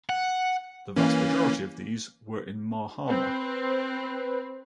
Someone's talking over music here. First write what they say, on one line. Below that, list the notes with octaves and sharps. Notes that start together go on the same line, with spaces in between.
The vast majority of these were in Mahama.
F#5
E3 A#3 C#4
C4 B4